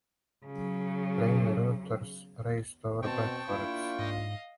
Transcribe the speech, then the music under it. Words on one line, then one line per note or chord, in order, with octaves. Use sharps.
Rainer Reuter raced over backwards.
C#3 F#3
B2 C4 G5 A5 C#6
A#3 D4 E4 F4
G#2 D#5 F5